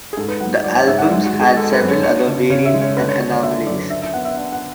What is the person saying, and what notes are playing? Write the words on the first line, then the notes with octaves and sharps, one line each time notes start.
The albums had several other variants and anomalies.
G#4
G#2 A4
B4
F#3 F#5
F#3 D5
C#5
G#2 E5
F#5
D5
G#3 E5
F#4
G#3
G#4
G#3 A4
B4
F#2
C#5
D4 C#5
C#3
C#3 C#5
E5
G#3
C#5
D3 B4
C#5
D3 C#5
D5
D3 E5
F#2 D5
D4 E5
E5
B3 F#5
E5
D4 E5
F#5